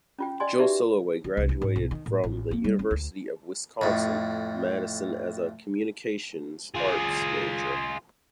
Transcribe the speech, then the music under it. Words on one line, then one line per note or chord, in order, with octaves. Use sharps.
Jill Soloway graduated from the University of Wisconsin-Madison as a communications arts major.
C#4 F4 G5
D5 D#5 G#5 C6
D#4 F#4 G4 B4 D5 E5
D#3
C2
E4
G#2
B1
D#3
A2
A1
A#3
G3
C#4
D2
F2 A2
F4 G#4